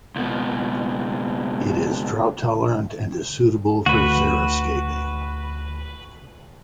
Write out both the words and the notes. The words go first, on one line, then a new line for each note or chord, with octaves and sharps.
It is drought-tolerant and is suitable for xeriscaping.
C#2 B2
D2 F#4 B4